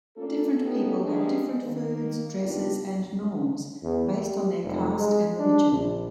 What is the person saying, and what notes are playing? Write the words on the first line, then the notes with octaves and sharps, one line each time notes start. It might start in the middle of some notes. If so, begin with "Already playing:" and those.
Different people have different foods, dresses and norms based on their caste and religion.
A3 A#3 C#4 D4 F4 A4
A3 B3 C#4 D#4 G4 A4
G3 G#3 A#3 B3 D4
D#3 A#3
C#3 G3 B3 D4 D#4 F4
E2
G3
F1
G#3
D4
A#1